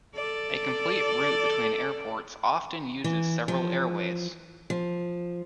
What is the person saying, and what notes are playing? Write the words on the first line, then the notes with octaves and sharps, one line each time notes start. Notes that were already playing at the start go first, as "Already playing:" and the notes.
A complete route between airports often uses several airways.
A4 D5
E3
F3
F3